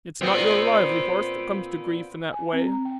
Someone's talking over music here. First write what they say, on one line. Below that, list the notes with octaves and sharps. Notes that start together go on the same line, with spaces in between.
It's not your lively horse that comes to grief in that way.
A#2 B3 C4
G#5
C4
A#5
G5